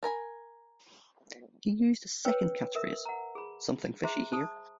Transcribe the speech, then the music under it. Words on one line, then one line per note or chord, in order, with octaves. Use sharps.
He used a second catchphrase, Something fishy here!
D4 A#4 G#5 B5
B4 C#5 G5 E6
A#4 E5 E6
F#5 A#5
G#4 B5
G#4 C5 E5 A#5 C6
C5 A5 D#6